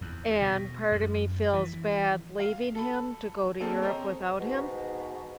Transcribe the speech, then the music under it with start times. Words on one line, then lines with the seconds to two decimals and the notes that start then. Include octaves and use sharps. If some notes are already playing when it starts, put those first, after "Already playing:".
And part of me feels bad leaving him to go to Europe without him
0.01 E2
0.42 B2
0.92 F#2
1.53 E3
2.40 F5
2.75 A4 B5
3.60 A#3 C4 D4 G#4 A4
3.82 C4 C#5 D#5 A#5
4.40 G#2 B2